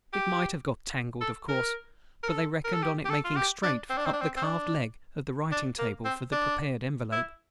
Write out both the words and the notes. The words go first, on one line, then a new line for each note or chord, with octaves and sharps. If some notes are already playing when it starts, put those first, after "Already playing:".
It might have got tangled, of course, but they reckoned on its making straight up the carved leg of the writing-table for the prepared envelope.
G4
A4
A#4
A#4
A4
A#4
A4
G4
G4
A4
F4
G4
D4
C4
D4
C4
D4
C4
C4
D4
D4
A#3
C4
D4
E4